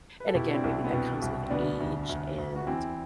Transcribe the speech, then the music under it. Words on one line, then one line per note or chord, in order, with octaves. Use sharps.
and again, maybe that comes with age, and
B4
A4
B2 E4 G4
D4
C4 E4
C2
B3
B2 C4
C2
C4
D2 B3 D4
D2
D2
D2
F#4
E2 C4 E4